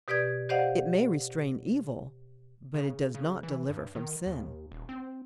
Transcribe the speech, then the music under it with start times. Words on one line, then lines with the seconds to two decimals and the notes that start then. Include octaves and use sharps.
It may restrain evil, but it does not deliver from sin.
0.08 B2 G4 B4 D5 D#6 G#6
0.49 G4 C5 D5 D#5 F5 F#5
2.74 C#3
3.15 C#3
3.43 E3
3.70 G2
3.95 D#3
4.26 D#2
4.72 D#1
4.89 C4